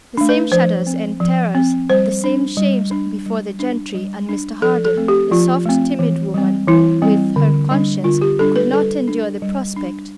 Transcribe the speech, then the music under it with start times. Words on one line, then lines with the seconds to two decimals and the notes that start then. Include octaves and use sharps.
The same shudders and terrors, the same shames before the gentry and Mr. Harden!--the soft, timid woman with her conscience could not endure the prospect.
0.17 A3 D4
0.29 B4
0.52 F3 C5
0.87 C4
1.20 F3
1.55 C4
1.90 G3 C5
2.24 D4
2.57 G3
2.91 D4
3.26 G3
3.60 D4
3.94 G3
4.29 D4
4.62 F3 A4
4.85 A4
4.97 A3 C4
5.08 G4
5.32 F3 F4
5.66 A3 C4
5.99 E3
6.34 G3 C4
6.68 E3 E4
7.02 G3 C4
7.36 D3
7.71 G3 D4
8.04 D3 F4
8.22 G4
8.39 G3 D4 A4
8.56 B4
8.73 G3 A4
9.08 D4
9.42 G3
9.76 D4